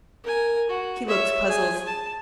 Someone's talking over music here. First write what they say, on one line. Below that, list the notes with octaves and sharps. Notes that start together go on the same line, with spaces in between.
He looks puzzled.
A#4 G#5
F#4
C#5 E5
G#4 G#5
A5